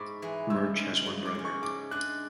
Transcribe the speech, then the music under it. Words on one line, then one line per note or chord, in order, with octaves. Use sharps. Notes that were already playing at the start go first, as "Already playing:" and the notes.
March has one brother.
Already playing: G#2 B5 C#6 D6
E3 G#3
C#3 E6
G#3 C#4
C#3
D6
G#3 C#4
C#6
G#2 D6
G#3 D4 F#6